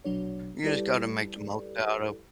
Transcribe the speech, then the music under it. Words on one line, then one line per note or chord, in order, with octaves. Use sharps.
you just gotta make the most out of
A#1 B2 F#3 D4 C#5
G3 E4 G4 A4 B4 D5